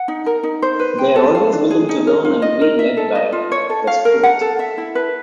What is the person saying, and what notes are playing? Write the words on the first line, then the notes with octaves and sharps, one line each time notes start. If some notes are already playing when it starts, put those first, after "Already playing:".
They are always willing to learn and be led by "The Spirit".
Already playing: F#5
D#4
A#4
D#4
C5
B4
G5
A4
F5
D4
G#4
D#4
A#4
F4
D#5
A#4
E5
A4
D#5
F4
C#5
A4
F5
A#4
F#5
A4
E5
E4
B4